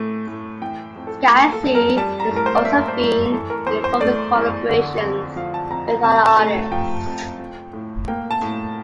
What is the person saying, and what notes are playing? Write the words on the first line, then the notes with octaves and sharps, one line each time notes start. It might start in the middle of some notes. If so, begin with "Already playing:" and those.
Skazi has also been involved in collaborations with other artists.
Already playing: A2 E3 A3
A2
E3 G5
F2
A4
A#3
A4
F2
A#4
G3 A5
A#5
A2
A#4
C5
D5
A#3 E5
C5
A2
E3 A4
A#4
E2 C5
C5
A3 D5
E2
D3
F2
F3 F5
A5
F2 A#5
A#5
C3 A5
A#5
A5
A3
F3 G5
F2
F3
A2
A#3 G5
A5
A2